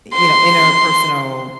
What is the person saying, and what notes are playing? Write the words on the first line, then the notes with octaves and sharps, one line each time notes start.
you know, interpersonal
C6